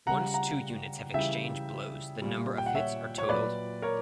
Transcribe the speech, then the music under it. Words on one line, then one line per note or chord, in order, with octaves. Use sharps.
Once two units have exchanged blows the number of hits are totalled.
C#3 G3 F#5 A#5
F#5 A#5
C#3 E3 G3 E5 G5
A#2 G3
G5
F#5
C#5 E5
C#5
A#2 F#3 B4 D5
A#4 C#5